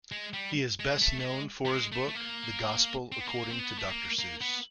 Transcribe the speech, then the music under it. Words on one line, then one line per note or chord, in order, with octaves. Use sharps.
He is best known for his book "The Gospel According to Doctor Seuss".
G#3
G3
G#3
A3
A3
G#3
G3
G#3
A3
A3
A#3
C4
B3
A#3
C4
B3
A3
A#3
A#3
B3